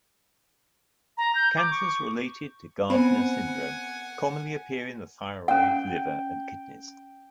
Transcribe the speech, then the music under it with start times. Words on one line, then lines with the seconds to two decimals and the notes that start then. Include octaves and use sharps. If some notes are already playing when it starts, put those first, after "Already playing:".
Cancers related to Gardner syndrome commonly appear in the thyroid, liver and kidneys.
1.18 A#5
1.35 G6
1.57 D6
1.71 C#6
2.90 B3 C4 C5 F#5 G#5 B5
5.48 C#4 F#5 G5